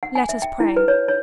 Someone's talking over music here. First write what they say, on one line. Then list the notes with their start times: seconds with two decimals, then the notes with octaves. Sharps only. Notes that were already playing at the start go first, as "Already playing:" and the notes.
"Let us pray."
0.03 F#5
0.15 G#5
0.29 E5
0.42 G5
0.60 E4
0.76 B4
0.88 C#5
1.08 C#5